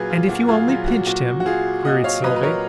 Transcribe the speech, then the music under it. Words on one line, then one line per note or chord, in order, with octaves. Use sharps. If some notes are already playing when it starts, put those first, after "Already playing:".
"And if you only pinched him?" queried Sylvie.
Already playing: A#2 F#3 G#4 B4 F5
F4
A#2 F#4
F4 G#4
F#3 F4
F#4
A#2 F#4
F#4
F#3 F4 G#4
A#2 D#5 F#5
C#5 F5
F#3 B4 D#5
B4
A#4 C#5